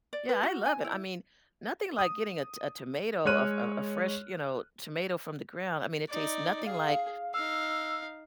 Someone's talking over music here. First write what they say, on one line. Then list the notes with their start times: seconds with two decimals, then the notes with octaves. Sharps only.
Yeah, I love it, I mean, nothing like getting a to a tomato, a f a a fresh, you know, tomato from the ground, I mean, it tastes nothing like,
0.13 D5
0.29 B4
0.43 F#4
0.66 G#5
0.84 E4
1.99 D#6
3.25 G#3 C#5 F6 F#6 D#7
6.09 D#4 D5
6.66 G#4 F5
7.34 D#4 F5 E6